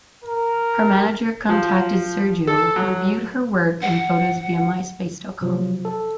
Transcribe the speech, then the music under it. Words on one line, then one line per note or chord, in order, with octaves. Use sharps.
Her manager contacted Sergio who reviewed her work and photos via myspace dot com.
A#4
F3
A4
F#3
F#5
C3 F3 F#3
A4